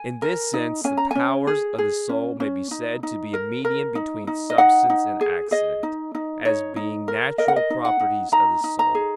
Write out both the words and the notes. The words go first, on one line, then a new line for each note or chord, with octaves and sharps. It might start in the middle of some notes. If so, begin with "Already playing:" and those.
In this sense the powers of the soul may be said to be a medium between substance and accident, as being natural properties of the soul.
Already playing: G#5
A#4
D#4
C#4 G#5
A#5
C#4 G#5
G#4
G#4
C#4
C#4
D#4
D#4
A#4
A#4
D#4
D#4
D#5
D#4 F#5
D#4
G#4
G#4 D#5
D#4
D#4
D#4 C#5
D#4
A#4
A#4 D#5
F#5
D#5
D#4
F#5
D#4
D#4 A#5
D#4
A#5
G#4